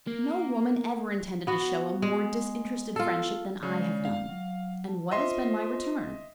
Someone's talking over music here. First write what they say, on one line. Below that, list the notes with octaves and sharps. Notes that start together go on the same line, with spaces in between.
"No woman ever intended to show a more disinterested friendship than I have done; and what has been my return?"
A#3
B3 F#4
G#3
F4 A4
C#3 G#3 D5
F5
F#3
A5
F4 C5 D#5 E5 C6